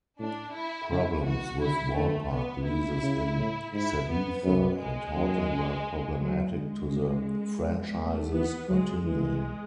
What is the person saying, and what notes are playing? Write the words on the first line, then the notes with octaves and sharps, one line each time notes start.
Problems with ballpark leases in Sabetha and Horton were problematic to the franchises continuing.
A2 D4
E4
C#3 E4
E3 F#4
D3 E4
D3 A3
B3
D3 E4
C#3
A2
G#2 E4
B3
F#2 B3
G#3
F#2
F#3
D3 G#3
C#3
A3
E3 B3
F#3 G#3
E3 G#3